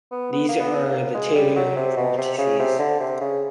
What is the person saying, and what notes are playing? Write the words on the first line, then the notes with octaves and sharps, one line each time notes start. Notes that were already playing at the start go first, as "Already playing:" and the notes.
These are the Taylor vortices.
B3
B3
A#3
B3
A#3
G#3
G3
F#3
C3
B2
C3
C#3
C3
D3
C3
C#3